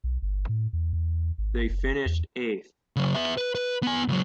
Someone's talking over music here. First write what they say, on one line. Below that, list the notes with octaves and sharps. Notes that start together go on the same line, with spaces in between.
They finished eighth.
B1
G1
A2
E2
E2
G#1
F#1
E2
C#3 F#3
B3 E5
B4
B4
B3 G#5
C#2 F#3